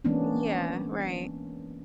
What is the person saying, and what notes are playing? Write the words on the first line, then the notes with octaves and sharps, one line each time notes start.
Yeah. Right.
E3 G#3 A#3 B3 C#4 D4